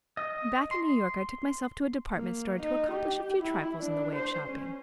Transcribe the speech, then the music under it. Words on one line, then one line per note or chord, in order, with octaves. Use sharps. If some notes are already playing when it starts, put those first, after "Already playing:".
Back in New York, I took myself to a department store to accomplish a few trifles in the way of shopping.
D#5
C6
A#3
D#4
G4
E4
D4
C5
C#4